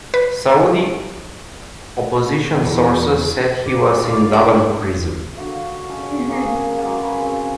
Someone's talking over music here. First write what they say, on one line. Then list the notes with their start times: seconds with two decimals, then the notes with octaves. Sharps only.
Saudi opposition sources said he was in Dhaban Prison.
0.14 B4
2.52 E2
3.66 G2 D6
4.01 D5 F5
4.33 D4 E4 F#4 D5
5.36 D3 F#4 F5
5.89 C#4 G#4 D#5 A5
6.28 C#3 A#3 G#4
6.82 F#3 G#3 A#3
7.00 G#4 B4 G#5 C#6
7.19 C#3 C4